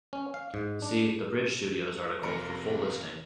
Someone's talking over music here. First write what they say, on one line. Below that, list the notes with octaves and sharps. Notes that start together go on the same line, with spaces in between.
See The Bridge Studios article for full listing.
C#4
F5
G#2
D4
F1 F2 A#3 A#4 C#7